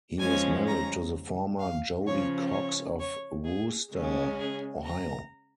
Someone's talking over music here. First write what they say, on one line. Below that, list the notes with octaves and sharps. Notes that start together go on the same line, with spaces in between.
He is married to the former Jody Cox of Wooster, Ohio.
F3 G#3 C#4 G#5
A#5
F5
C#3 F3 C#4 C#5
C#5
C#5
G#4
C#3 G#3 C#4
G#4
A#5